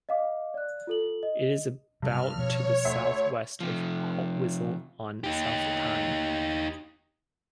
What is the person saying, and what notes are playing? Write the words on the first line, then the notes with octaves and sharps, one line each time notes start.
It is about to the south-west of Haltwhistle, on the South Tyne.
D#5 F5 D6
D5 F#6
F4 A4 F#7
D#5
G2 C3 F6
B2 F3 C#5
D2 E5
C3 F3
D#4 G4